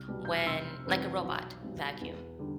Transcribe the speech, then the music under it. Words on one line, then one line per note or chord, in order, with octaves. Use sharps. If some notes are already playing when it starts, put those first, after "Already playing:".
when, like, a robot vacuum.
Already playing: C2 F6
B2 G3
G6
F6
F1 C6 E6
F2 E3 G3
B1
B2 G3
E2
D3 G3